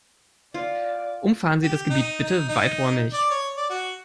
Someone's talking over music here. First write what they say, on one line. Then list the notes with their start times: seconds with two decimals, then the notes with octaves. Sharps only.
Umfahren Sie das Gebiet bitte weiträumig.
0.54 F4 D5
1.63 G4
1.90 D#4
2.24 D#4
2.49 D#4
3.13 D5
3.31 C#5
3.57 D5
3.70 F#4